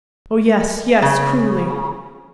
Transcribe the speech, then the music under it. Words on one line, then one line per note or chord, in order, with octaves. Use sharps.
"Oh, yes, yes, cruelly!"
C#3